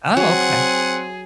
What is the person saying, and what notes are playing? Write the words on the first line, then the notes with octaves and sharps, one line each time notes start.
Oh, okay.
F#3 C4 G#4 F#5